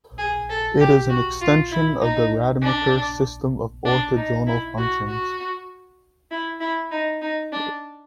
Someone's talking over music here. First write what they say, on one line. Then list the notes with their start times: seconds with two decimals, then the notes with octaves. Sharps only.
It is an extension of the Rademacher system of orthogonal functions.
0.18 G#4
0.50 A4
0.80 G4
1.10 F#4
1.41 F4
1.72 E4
2.02 D#4
2.63 D4
3.85 D4
4.17 D#4
4.47 E4
4.78 F#4
5.08 F#4
6.31 E4
6.61 E4
6.91 D#4
7.22 D#4
7.53 D4